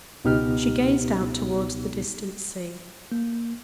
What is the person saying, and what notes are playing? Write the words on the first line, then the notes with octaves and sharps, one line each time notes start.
She gazed out towards the distant sea.
C#2 B2 B3 D#4 G4 F6
A#3